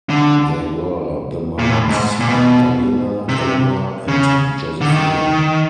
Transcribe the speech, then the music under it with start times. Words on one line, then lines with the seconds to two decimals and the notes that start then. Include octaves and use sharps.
There were the mines "Magdalena", "Elena" and "Josefina".
0.10 D3
1.59 A#2
1.70 A2
1.89 G#2
2.20 A#2
2.29 B2
3.29 C3
4.08 C#3
4.81 D3
4.89 D#3